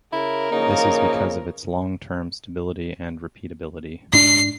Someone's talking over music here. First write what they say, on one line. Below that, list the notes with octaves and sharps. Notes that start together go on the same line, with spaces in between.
This is because of its long-term stability and repeatability.
C#3 E4 A#4
C#3 E3 F3 A#3 D#4
G#2 D4 C7